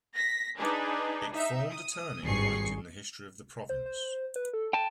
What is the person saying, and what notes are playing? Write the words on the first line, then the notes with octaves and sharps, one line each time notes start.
It formed a turning point in the history of the province.
A#6 B6
D4 D#4 G#4 B4
D#4 E5
D#6
G#1 G2 G#4 C#6 C7
C5
C5
B4
A4
G5 A5